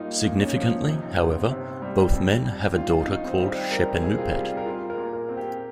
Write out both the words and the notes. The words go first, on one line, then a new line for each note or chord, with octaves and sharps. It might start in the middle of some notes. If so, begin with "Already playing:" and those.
Significantly, however, both men have a daughter called Shepenupet.
Already playing: G3 A#3 D#4 F4
A#2
C#4
F3
C3 D#4
G1
C3
G3
F2
G3
D#3 F4
D#4
D#3
C4
G3
C4
G3 A#4
G#4
C3
F4
G3
A#4
F4 G#4
A#4
A#2
A#4
C4
G4